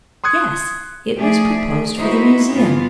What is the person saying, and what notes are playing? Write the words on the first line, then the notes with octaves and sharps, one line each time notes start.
"Yes; it was proposed for the Museum."
C6 D#6 F#6 G#6 C#7
F3 A3 G#4 D5 E5
D#4 E4 F#4 B4 C5 E5
G2 E3 B3 F4